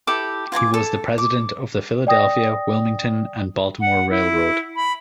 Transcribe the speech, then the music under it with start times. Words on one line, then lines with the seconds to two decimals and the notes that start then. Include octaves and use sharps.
He was the President of the Philadelphia, Wilmington and Baltimore Railroad.
0.07 E4 G4 A4 D6
0.52 F4 G#5 A#5 D6
0.74 A4
1.18 D6
2.07 D5 G5 D#6 A#6
3.81 F#5
4.10 E4
4.76 B5